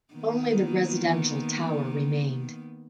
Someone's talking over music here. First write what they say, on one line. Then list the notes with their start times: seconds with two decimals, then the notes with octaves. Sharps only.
Only the residential tower remained.
0.14 D#3 A#3 B3